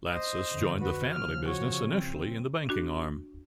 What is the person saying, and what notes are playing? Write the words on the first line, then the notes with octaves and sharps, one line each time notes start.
Latsis joined the family business initially in the banking arm.
C5 D#5
F2 D3
F#4 B4
C#3 F3 F6
F#4 C#5
C4
D4 F#4